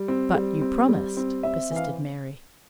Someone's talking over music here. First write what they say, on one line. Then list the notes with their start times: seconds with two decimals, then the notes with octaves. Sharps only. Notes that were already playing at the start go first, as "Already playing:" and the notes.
"But you promised," persisted Mary.
Already playing: G3
0.08 C4
0.35 G3
0.62 C4
0.89 G3
1.17 C4
1.43 C4 E5
1.71 E3 F5